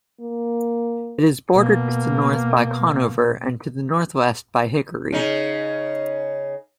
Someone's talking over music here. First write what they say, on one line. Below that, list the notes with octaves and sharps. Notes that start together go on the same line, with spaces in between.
It is bordered to the north by Conover and to the northwest by Hickory.
A#3
B2 A#3
C#3 D#4